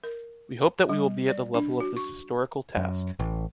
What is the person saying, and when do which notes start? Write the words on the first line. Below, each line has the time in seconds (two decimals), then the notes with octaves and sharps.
We hope that we will be at the level of this historical task.
0.04 A#4
0.89 G3
1.28 D5
1.54 D4
1.80 F#4
1.97 C#6
2.77 F#2
3.19 A1